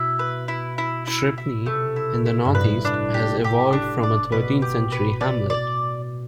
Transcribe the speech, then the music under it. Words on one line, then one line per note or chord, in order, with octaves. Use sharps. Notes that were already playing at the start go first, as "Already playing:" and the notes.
Shripney, in the northeast, has evolved from a thirteenth-century hamlet.
Already playing: B2 E4 E5
B4
E4
E4
E4
E4
C3 A3
E4
E4
G2
A2 B4
D4
G4
G4
D4
D5
B2 B4
G4
B4
D5
D5